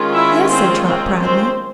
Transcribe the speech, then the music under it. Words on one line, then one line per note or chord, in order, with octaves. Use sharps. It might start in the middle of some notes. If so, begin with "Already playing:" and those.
"Yes," said Trot, proudly.
Already playing: D#3 G#3 C#4 F4
E4 E5
C4 C5
C4 C5
C4 C5